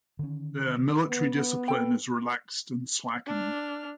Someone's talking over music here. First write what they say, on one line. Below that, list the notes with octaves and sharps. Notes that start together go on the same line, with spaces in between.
Their military discipline is relaxed and slackened.
D3 D#3 C#4
B3
A4 G5
D4 F6